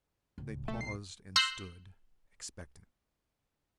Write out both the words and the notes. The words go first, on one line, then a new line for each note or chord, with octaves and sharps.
They paused and stood, expectant.
D1 C#2
B1 A3
C7
C6 E6 F#6 G6 A#6 C7